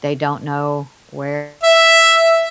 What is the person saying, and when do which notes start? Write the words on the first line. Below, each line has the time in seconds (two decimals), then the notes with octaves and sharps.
they don't know where,
1.63 E5